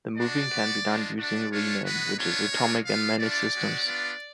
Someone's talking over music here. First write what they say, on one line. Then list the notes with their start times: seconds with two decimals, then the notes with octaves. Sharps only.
The moving can be done using rename, which is atomic in many systems.
0.17 G#3 D4 F#4 D5
0.51 B3 F#4
0.84 G#3 D4 F4
1.18 A3 D4 F#4 D5
1.51 A3 D4 F4 C#5
1.85 G#3 B3 F#4 B4
2.18 B3 D4 F4 C#5
2.52 G#3 D4 F4
2.85 B3 F4 F5
3.19 A3 D4 F4 D5
3.52 G#3 C#4 F#4
3.86 B3 D4 F4